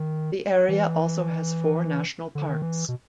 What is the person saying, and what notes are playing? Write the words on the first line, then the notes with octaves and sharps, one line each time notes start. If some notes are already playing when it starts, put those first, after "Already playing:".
The area also has four national parks.
Already playing: D#3
E3
D3
D#3
E3
B2